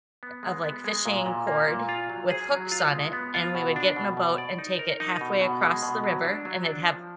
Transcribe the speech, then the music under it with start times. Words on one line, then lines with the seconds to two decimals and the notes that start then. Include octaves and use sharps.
of, like, fishing cord with hooks on it and we would get in a boat and take it halfway across the river and it'd have,
0.23 B3
0.43 G#3
0.63 B3
0.84 G#3
1.06 A#2
1.26 A#2
1.47 A#3
1.68 A#2
1.89 F4
2.10 F#3
2.30 G#4
2.51 F#3
2.72 F4
2.92 G#3
3.13 B3
3.34 F4
3.55 B2
3.76 D4
3.96 B2
4.17 B2
4.38 D5
4.58 D#4
4.79 A#4
5.00 D#4
5.21 B2
5.41 B2
5.62 G#3
5.83 B2
6.04 F#3
6.25 D4
6.45 F#3
6.66 D4
6.87 F3